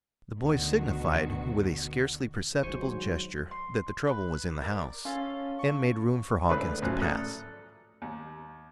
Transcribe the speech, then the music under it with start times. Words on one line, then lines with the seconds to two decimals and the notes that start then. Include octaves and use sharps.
The boy signified with a scarcely perceptible gesture that the trouble was in the house, and made room for Hawkins to pass.
0.38 D2 B2 D3 D#3 F#4
2.63 D#2 G#2 F#3 D4 C5 G#5 C#6
3.51 C6
4.07 B4
4.61 A#4 D5
5.05 C#4 F4 A4 F5
5.59 C#6
6.49 C#2 A2 D3 B4 B5 F#6
6.82 A1 A2 F3 F#3 C#4 F#6
7.01 A4 D5 A#5 D#6 F6 F#6
8.02 D#2